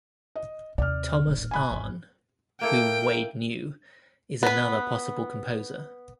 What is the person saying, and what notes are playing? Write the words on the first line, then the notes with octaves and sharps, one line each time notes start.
Thomas Arne, whom Wade knew, is another possible composer.
D#5
D#2 C3 D5 F6
D#1 A1
G#5 B5 F#6
G#1 E2
A#3 E4 A4 A#4 G5
B3 B4